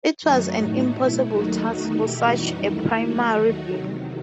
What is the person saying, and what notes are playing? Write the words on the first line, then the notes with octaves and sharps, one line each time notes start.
It was an impossible task for such a primal being.
F#2 D#3 F#3 A3 D#4 F#4
A2 F#3 A3
B2 A3 E4
D#2 D#3 F#3 A3 D#4 F#4
E2 D#3 A3
E2 B2 A3 E4 G4
F#2 E3 G3 D#4 F#4
D#2 D#3 A3 E4
E2 D#3 F#3 A3 D#4 F#4
D#2 D#3 F#3 A3
E2 C3 D#3 F#3